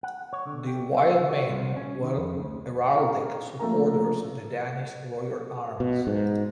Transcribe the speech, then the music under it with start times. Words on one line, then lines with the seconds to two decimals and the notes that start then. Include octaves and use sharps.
The wild men were heraldic supporters of the Danish royal arms.
0.03 F#5
0.33 C#5
0.46 D3
0.67 G4
0.97 E5
1.30 F#4
1.49 C2
1.77 C#4
2.03 D#3
2.17 F2
2.39 D2
2.95 E4 A#4
3.59 F3 A3 A#3 A#4 A#5
5.80 B2
6.07 G#2